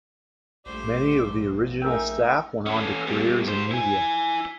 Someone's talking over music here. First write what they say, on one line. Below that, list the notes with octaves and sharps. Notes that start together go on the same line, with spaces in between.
Many of the original staff went on to careers in media.
A#1 G3 A3 C5 D5
A3 C#4 D#4 G#4 A#4 E5 G5
C#4 A4
B2 G3
G3 C5
E4 G#5